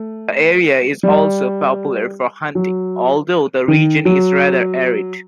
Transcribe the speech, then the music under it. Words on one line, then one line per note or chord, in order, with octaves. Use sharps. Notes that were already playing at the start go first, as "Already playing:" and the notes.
The area is also popular for hunting, although the region is rather arid.
Already playing: A3
G3
F#3
D#3
F#3